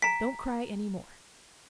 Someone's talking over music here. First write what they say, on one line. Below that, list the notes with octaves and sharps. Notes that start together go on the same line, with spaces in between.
Don't cry any more.
G#5 A#5 B6